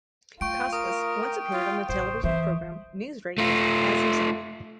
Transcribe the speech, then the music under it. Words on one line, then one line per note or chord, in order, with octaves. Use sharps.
Costas once appeared on the television program, "NewsRadio", as himself.
A3 F4 G5 C#6 D7
A#4 D#6
G5
F4
A1 C#3 C5
E3 C5 E5
A3 F4